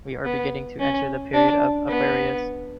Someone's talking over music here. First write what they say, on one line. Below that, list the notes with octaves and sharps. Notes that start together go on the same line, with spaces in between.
We are beginning to enter the period of Aquarius.
B3
C#4
D4
B3